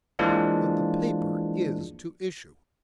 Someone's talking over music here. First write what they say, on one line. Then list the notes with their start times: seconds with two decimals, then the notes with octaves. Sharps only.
But the paper is to issue.'
0.19 E3 F3 G#3 A#3 D4 F4